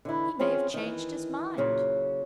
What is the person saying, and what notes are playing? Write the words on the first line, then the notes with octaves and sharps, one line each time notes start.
"He may have changed his mind."
D3 E3 E4
C4 C#4 F4 G#4
D#3 E3
A#2 C#3 F#3